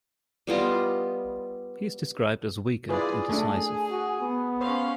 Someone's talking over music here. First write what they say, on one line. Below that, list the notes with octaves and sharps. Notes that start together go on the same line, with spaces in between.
He is described as weak and indecisive.
G3 B3 F4 D#5
E4 F4 G#4 B4 D5 G#5
A3 D4 G#4
F#4
B3
C#4 C5 F5